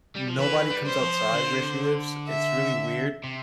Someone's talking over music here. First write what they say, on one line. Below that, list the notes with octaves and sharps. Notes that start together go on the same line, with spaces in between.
nobody comes outside where she lives. It's really weird,
G3
F3
E3 B4
G3
C5
F3
D3
E5
C3